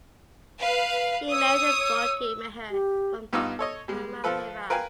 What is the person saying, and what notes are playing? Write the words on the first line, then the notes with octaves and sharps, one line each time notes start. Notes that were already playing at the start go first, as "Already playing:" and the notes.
He married Boki Mihir from Halmahera.
B4 F5
C#5 D#6 E6
G4
G2 B3 D#4 F4 D6 E6
A4 C#5 D#5
G3 G#3
F3 F4 A4 B4
A#4 B4 F5 G5 G#5